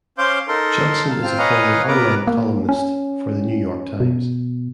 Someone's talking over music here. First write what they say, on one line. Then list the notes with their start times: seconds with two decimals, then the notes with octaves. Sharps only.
Judson is a former on-line columnist for the "New York Times".
0.18 C#4 C5 F5 C6 D6 G6
0.48 D#4 A4 A#4 C6
1.09 F5 A5
1.23 C4 F4 F6
1.38 B4 C#5 D#5 F5 G#5 A#5
1.88 B3 A#4 B4 A#5 D6
2.27 A#3
2.69 C#4
4.00 B2